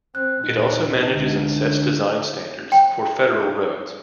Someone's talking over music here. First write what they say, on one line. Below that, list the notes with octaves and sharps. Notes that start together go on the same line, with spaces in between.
It also manages and sets design standards for federal roads.
C4 F#6
D#2 A#2 D#4
C#2 D3
G5